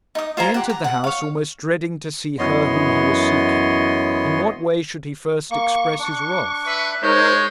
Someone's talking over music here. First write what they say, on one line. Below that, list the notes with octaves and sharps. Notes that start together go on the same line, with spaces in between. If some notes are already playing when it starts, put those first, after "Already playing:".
He entered the house almost dreading to see her whom he was seeking. In what way should he first express his wrath?
D#4 D#6
F4 C5 G#5 A#5
G4 F#5
A#5
F#5
C#5 F5
F#2 E3 B3 C#5 D#5 C6
A#3 C#6
D4
B4 E5
G#3 D#4 A#4 C5 C#5 G6